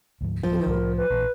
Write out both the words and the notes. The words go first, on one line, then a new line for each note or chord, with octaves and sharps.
you know,
D2 G#2 F3
D1 F3
C2 A2 A#4
B4
A#1 A#2 E3